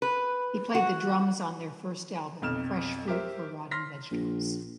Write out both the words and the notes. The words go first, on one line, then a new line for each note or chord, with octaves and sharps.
He played the drums on their first album, "Fresh Fruit for Rotting Vegetables".
B4
F#4
B1 F2 F6 E7
G4 A#4 C5 E5
C6 F6 A#6 B6
A#1